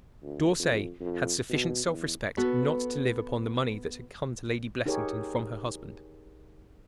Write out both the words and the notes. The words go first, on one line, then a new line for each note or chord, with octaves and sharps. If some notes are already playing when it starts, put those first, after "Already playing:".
D'Orsay had sufficient self-respect not to live upon the money that had come to Lady Blessington from her husband.
D2
F2
F2
B2
E2
B3 F#4 A4 B4
D#4 G4 G#4 A#4 C#5